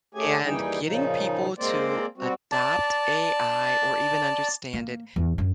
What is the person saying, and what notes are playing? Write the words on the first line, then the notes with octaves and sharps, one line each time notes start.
and getting people to adopt AI or even understand it
A3 C#4 G4 G#4 G#5
D#2 E3 G3 D#4 G#4 G5
A#2 C#3 F3 D#4
G#3 A#3 C4 C5 D5
G3 C4 F#4
D5 A5
A#3
E2
F#2